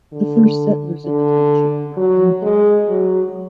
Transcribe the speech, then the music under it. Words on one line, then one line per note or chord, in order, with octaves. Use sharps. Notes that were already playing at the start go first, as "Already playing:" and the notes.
The first settlers in the township were a family by the name of Krum.
D3
D3
F#3
G#3
F#3